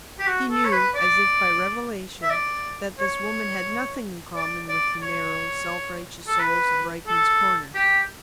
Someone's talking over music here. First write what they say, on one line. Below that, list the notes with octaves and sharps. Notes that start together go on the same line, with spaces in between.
He knew, as if by revelation, that this woman had nothing in common with the narrow, self-righteous souls of Rykman's Corner.
G4
F#4
A4
C#5
B4
D5
E5
D5
C#5
D5
D5
C#5
A4
B4
A4
G4